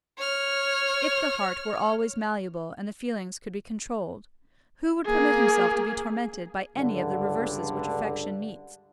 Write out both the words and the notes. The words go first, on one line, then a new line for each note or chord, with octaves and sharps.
If the heart were always malleable and the feelings could be controlled, who would permit himself to be tormented by any of the reverses which affection meets?
C#5 F6
A#3 G#4
C#2 G2 D3